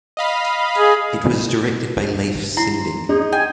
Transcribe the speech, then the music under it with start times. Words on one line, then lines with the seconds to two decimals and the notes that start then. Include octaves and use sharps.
It was directed by Leif Sinding.
0.17 D#5 F5 B5
0.78 G#4
2.57 E4 C6
3.09 D#4 G#4
3.32 G5 G#5